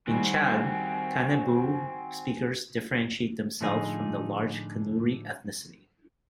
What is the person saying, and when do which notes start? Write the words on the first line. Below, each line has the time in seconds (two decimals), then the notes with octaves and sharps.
In Chad, Kanembu speakers differentiate themselves from the large Kanuri ethnicity.
0.07 D#3 G3 C4 F#4 G#5
3.61 A2 D3 F3 D#4 F4 G#4